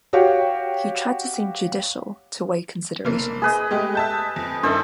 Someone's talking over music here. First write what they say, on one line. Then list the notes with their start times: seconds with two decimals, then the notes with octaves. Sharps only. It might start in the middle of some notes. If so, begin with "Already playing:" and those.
He tried to seem judicial, to weigh considerations.
0.13 F#4 G4 C#5 F5 G5
3.05 F1 A#3
3.42 G#4 B4 D#5
3.71 G#3 A3 G4
3.95 E5 A5 G6
4.36 F2
4.63 G2 D#3 E4 A4 C5